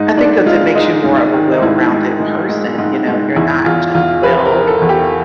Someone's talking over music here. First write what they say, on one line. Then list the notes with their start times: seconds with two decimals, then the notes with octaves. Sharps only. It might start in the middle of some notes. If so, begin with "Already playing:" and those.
I think 'cause it makes you more of a well-rounded person, you know? You're not just well
Already playing: G#2 D#4
0.17 G#2 D4
0.46 G#3 F4
0.75 G#3 D#4
1.04 G#2
1.33 D#3
1.52 D#4
1.62 G#2 E4
1.91 G#3
2.20 G#3
2.49 G#3
2.78 G#2
3.08 G#2
3.36 E2 E4
3.65 E2 F4
3.95 E2 F4
4.23 F3 B4
4.45 A#4
4.53 F3
4.67 A4
4.81 E2
4.89 G4